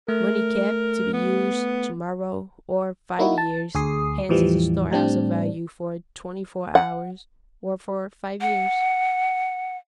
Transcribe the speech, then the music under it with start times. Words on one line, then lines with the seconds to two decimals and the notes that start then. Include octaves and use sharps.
Money kept to be used to-morrow or five years hence is a storehouse of value for twenty-four hours or for five years.
0.09 A3 A#4
1.13 B3
3.19 A#3 D#4 E4 F#4
3.38 A5
3.75 D2 G#4 D#6 C7
4.29 E2 A2 E3 F3 G3
4.91 A2 G3 C4 D4
6.75 F#5
8.41 F#5